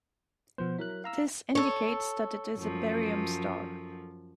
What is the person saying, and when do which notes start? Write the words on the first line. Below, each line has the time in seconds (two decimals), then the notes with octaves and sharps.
This indicates that it is a Barium star.
0.58 B2 F3 B3 C5
0.78 F#3 E4 A#4 F#6
1.04 F5 A#5 E6
1.55 A4 C#5
2.58 F#2 F3